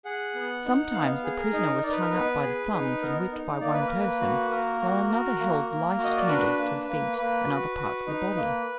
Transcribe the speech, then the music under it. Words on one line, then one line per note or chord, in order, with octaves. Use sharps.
Sometimes the prisoner was hung up by the thumbs, and whipped by one person, while another held lighted candles to the feet and other parts of the body.
G#4 F#5
B3
D#4
B3 F5
G#4
A#4
D#4
D#4 D5
B4
A#4
B3 B4
G#4
D#4 B4
B3 A#4
D#4
A#3 D5
B4
A#3 A#4
B4
F#4
A#3 A#4
F#4
F#4
A#3
A#3
F#4
D#5
D5
D4 B4
A#3
A#3
A#3 B4
F#4
F#4
D#4
A#3